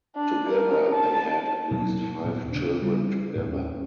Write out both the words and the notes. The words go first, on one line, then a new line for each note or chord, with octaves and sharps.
Together they had at least five children together.
D4
A#4
A5
B2 F#3 G3 A#3
D#1 A#2 B3
C#3 D4
G3
D#2 A2
C#4